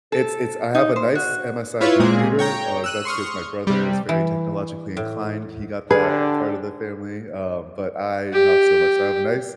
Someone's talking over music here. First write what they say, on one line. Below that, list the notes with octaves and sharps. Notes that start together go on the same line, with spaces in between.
it's it's I have a nice MSI computer, uh, that's 'cause my brother is very technologically inclined, he got that part of the family, uh, but I not so much, I have a nice
A4
D#4
C5
F#4
E4 F4 B4 C#5
A#2 G#3 A#3 C4 G#4
C#5 G5 A#5
E6 F#6 D#7
C6 C#6 D#6 F6
C3 G3
E3
A2
D3 D4 G4 G#4 B4
G4